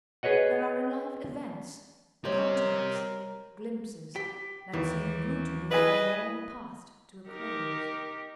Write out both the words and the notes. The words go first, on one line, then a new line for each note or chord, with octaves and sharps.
There are in life events, contacts, glimpses, that seem brutally to bring all the past to a close.
G#4 B4 C#5 D#5 F#5
G3 G4 A#4 C5 C#5 D#5
G4 B6
D#2 E3
E4 G#4 B4 D#5 G#5
D#4 G4 A#4